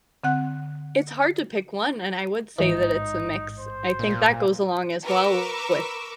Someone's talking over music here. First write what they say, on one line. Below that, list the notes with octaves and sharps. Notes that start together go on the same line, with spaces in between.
It's hard to pick one, and I would say that it's a mix, I think that goes along as well with
D3 C4 F#5 F#6
A1 G#2 E3 D#4
C5
A#2
A#4 B4 C#6 D6 E6